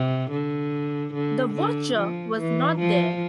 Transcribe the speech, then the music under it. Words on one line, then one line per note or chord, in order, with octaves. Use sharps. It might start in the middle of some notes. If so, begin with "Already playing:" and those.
The watcher was not there.
Already playing: C3
D3
D3
D3
F3
E3
F3